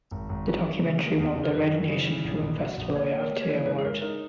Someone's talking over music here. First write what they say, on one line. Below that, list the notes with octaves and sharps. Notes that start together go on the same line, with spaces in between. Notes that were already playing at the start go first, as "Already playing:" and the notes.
The documentary won the Red Nation Film Festival Oyate award.
G#1
G#1
E3
E3
C#3
A#3
E2
C#3
A#4
F#2 B4
E3
C#3
E3
A#1
A#1
F#3
A#1
A#3 C#5
A#3
A#4
A#3
C#5
E3
G#2 B4
G#4
G#2 A#4
D#4 A#4